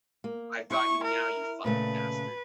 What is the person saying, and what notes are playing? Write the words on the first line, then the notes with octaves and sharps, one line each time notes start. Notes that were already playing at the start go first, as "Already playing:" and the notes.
I’ve got you now, you fucking bastard.
A#3
E4 C#6
A#4
A#2 C#3 A3 B4